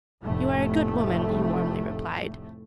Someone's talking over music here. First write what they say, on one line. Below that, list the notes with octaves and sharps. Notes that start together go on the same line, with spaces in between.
"You are a good woman," he warmly replied.
F1 A2 A3